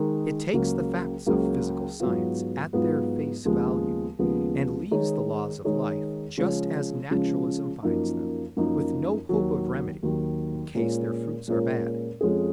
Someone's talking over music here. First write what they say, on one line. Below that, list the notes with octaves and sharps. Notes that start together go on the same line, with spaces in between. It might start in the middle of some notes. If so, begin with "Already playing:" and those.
It takes the facts of physical science at their face-value, and leaves the laws of life just as naturalism finds them, with no hope of remedy, in case their fruits are bad.
Already playing: D#3 G#3 D#4 A#4
C#2 C#3 F#3 A#3
C#2 C#3 F#3 A#3
G#2 F#3 B3 F4
G#2 F#3 B3 F4
D#2 C#3 F3 G#3 B3
D#2 C#3 F3 G#3 B3
D#3 G#3 D#4 G#4 C#5
D#3 G#3 D#4 G#4 C#5
C#3 F3 G#3 C#4
C#3 F3 G#3 C#4
F#2 F3 A#3 D#4
F#2 F3 A#3 D#4
D#2 D#3 F#3
D#2 D#3 F#3
A#2 G#3 C#4 F4 A#4
A#2 G#3 C#4 F4 A#4
F2 F3 G#3 C#4 G#4